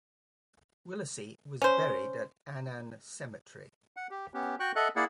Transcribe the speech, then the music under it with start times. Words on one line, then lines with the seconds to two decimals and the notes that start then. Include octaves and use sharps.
Willacy was buried at Annan Cemetery.
1.62 C#4 C5
3.97 F#5
4.11 G4
4.34 B3 C#4 G4
4.60 F#4 G5 C#6 F#6
4.76 A4 D#5 E5 F#5 F#6
4.96 A#3 E4 G#4 D5 F#5